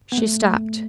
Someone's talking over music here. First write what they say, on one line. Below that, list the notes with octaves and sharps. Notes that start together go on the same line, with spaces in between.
She stopped.
B3
A3